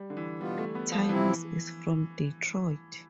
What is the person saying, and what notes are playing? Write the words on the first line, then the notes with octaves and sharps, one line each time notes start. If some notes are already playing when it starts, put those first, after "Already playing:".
Tynes is from Detroit.
Already playing: G3
D3
E3
B2 G3 B3 F4
A3
B3
F3
C3 E3 F3 C4 E4